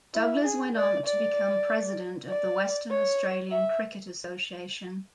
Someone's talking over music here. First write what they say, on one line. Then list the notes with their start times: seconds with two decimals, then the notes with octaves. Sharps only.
Douglas went on to become President of the Western Australian Cricket Association.
0.15 E4
0.45 G#4
0.76 D5
1.06 D5
2.29 D5
2.90 C#5
3.52 E5